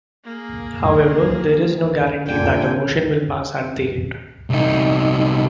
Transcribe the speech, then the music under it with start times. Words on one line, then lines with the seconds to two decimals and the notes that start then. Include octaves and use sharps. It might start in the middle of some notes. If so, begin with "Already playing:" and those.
However, there is no guarantee that a motion will pass at the end.
0.24 A#3 G#4
2.26 A#2 D3 G5 G#5
4.50 C2 D#4